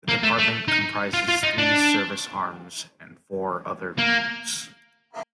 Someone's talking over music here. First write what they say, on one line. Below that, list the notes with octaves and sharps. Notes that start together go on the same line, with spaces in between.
The Department comprises three service arms and four other groups.
A#3
A3
A3
D#4
F4
F4
D#4
D4
A#3